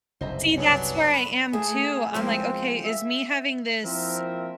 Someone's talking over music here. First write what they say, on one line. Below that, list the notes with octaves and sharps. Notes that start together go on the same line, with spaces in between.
See, that's where I am too, I'm like, okay, is me having this
F#1 C2 G2 C5 D#5 E5
F#2 C#3 F#3 B3 D4 C#5
B5
A3 G#4
F3 G#3 A#3 C4
E5
F3 A#3 C4 E4 A#4 E5